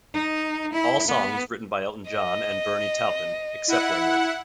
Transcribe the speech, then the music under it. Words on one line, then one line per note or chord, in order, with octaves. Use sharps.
All songs written by Elton John and Bernie Taupin, except where noted.
D#4
E4
B3
D#5
E4 F#5